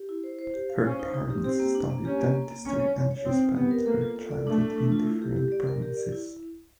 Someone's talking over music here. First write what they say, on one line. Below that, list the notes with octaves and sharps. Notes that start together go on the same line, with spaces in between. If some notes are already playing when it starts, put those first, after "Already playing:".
Her parents studied dentistry and she spent her childhood in different provinces.
Already playing: G4
E4
C5
C5
G4
F5
C#4 C5
D#4
D#4
G4
C4 G4
A#3
D4
A#3
C#4 G4
A#3
A#3
A#3
C#4 C#5
C#5
C#5
C#5
C4 D#4
D#4
B3 G4
A#4
A#3 A4
F4
A4
D5
A3 D4
D4
D4
F4
E4
G4
G4
D5
A#4
G4
D5
E4